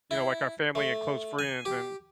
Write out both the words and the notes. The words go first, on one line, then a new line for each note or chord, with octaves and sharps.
you know, like our family and close friends, and
E4
A3
G#5
G4